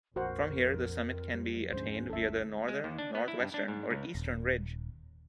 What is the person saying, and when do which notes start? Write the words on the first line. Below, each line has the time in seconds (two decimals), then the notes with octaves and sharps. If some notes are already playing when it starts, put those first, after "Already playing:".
From here, the summit can be attained via the northern, northwestern or eastern ridge.
0.16 A#1 F2 F#4 A#4 C5 F#5
1.34 G3
1.72 D2 G#2 G#3 C#4 C5
2.10 G1 D2 A4 E5
2.68 G#3
2.84 D#2
2.99 D4
3.15 B3
3.28 E4
3.40 G2
3.54 D4
3.68 G#2
3.91 C#2
4.15 D#1